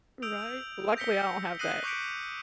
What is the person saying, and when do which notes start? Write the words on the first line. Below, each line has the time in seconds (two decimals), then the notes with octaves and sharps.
Right. Luckily, I don't have that.
0.22 D#6 E6 G6 D7 F7
0.97 G6 A#6 B6 C#7 G7
1.59 D#6 F#6 A#6 C7 D#7 F#7
1.84 C#6 D6 G6 B6 C#7 D7